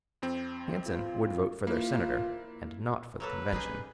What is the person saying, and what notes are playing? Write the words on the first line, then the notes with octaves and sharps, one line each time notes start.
Hansen would vote for their senator and not for the convention.
F2 C4
F4
A#3 E4 F4
F#3 A#3 A4 B4
G3 C#4 D#4 G#4